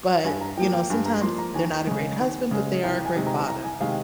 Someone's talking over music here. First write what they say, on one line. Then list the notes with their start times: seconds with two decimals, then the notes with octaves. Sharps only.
but, you know, sometimes they're not a great husband, but they are a great father,
0.25 G2 G#5
0.41 A#5
0.57 F3 A#3 G5
0.73 G5
0.90 G2 G#5
1.06 A#5
1.22 F3 A#3 C6
1.38 A#5
1.54 D#2 G#5
1.87 C#3 G#3
2.19 D#2
2.51 C#3 G#3
2.83 C2 G5
3.05 G#5
3.16 C3 D#3 G#3
3.27 A#5
3.48 C2 A#5
3.64 G#5
3.80 C3 D#3 G#3 F5